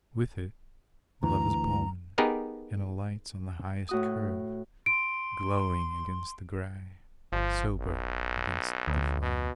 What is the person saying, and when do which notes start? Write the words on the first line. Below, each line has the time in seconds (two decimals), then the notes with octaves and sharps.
With it love is born, and alights on the highest curve, glowing against the grey, sober against the fire.
1.23 D2 E3 A#5
2.18 B3 D#4 G4 G#4 A#4 B4
3.89 A2 F#4 D#6
4.86 C6 D7
7.32 G1 F3
7.79 B1
8.88 D2
9.22 B2